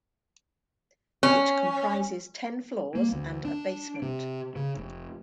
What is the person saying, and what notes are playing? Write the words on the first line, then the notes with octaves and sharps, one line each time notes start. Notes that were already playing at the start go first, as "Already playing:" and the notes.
It comprises ten floors and a basement.
C#4
A#3
D2
D4
C3
C#3
F1